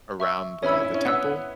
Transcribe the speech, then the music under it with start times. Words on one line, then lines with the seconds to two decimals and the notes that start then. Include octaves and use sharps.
around the the temple,
0.20 E5 C#6 E6
0.63 C#4 C#5 E5 B5 E6
0.73 E4
0.84 E4
0.95 C#4
1.05 B3 F#5 E6